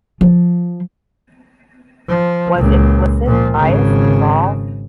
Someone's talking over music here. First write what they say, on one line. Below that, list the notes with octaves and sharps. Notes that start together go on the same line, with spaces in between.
Was implicit bias involved?
F3
F3
C#2 A#2
A#2 F3
G#1 C#3